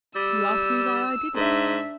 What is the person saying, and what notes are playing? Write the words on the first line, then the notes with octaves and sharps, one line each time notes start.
You ask me why I did it.
G3 E6
G#2 D4 E5